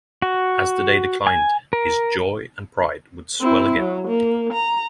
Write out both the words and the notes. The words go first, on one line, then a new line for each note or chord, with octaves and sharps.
As the day declined his joy and pride would swell again.
F#4
G#5
A#4
C4 E4
F#3
A#3
A#5